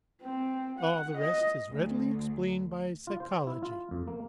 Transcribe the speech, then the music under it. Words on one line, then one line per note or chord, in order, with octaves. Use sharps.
All the rest is readily explained by psychology.
C4
F#5
D#5
D2
F4
C5
E4
F4
F2
A#3